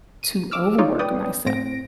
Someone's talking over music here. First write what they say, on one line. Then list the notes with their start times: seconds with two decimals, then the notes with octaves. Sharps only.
to overwork myself,
0.23 D#7
0.51 D6 E6 F6
0.78 D#4 F4 C#5 D5
0.99 B4 C#5 D5 G5 D#6
1.46 A2 C4 A#6 D7